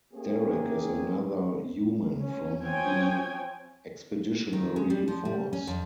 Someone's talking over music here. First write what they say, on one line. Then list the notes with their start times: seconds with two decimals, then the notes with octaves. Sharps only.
Derek is another human from the expeditionary force.
0.13 A3 A#3 C#4 G4 G#4
2.19 C#4
2.63 F3 C4 C#5 G5 G#5
4.53 D#3
4.76 G#3
4.90 G3
5.08 F3
5.25 G3
5.53 C#4
5.67 F2